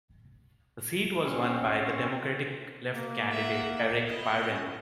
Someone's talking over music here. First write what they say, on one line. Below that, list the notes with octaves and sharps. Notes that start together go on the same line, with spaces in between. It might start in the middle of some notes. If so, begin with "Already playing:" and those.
The seat was won by the Democratic Left candidate Eric Byrne.
C4 C#4
A#3
E5 F#5
B3 D#5
C#4